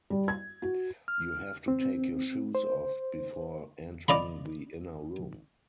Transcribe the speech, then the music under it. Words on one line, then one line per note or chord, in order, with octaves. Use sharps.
You have to take your shoes off before entering the inner room.
G3
G#6
F#4
F6
C4
C5
D5 D#5 A#5 B5